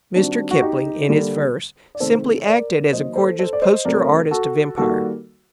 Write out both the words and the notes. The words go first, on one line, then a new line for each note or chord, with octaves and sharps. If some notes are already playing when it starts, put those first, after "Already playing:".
Mr. Kipling, in his verse, simply acted as a gorgeous poster-artist of Empire.
D#3 G3 C4 D4 F#4
F#4
D#4 G4
D3 G3 A#3
D5
C3 D#3 A3 C4 A4 C5
A#4 D5
D#3 F#3 A#3 C5 D#5
A4 C5
A4 C5
D5
C5 D#5
C3 F#3 A3 C4 A#4 D5
F#4 A4
D#3 G3 A#3 F#4 A4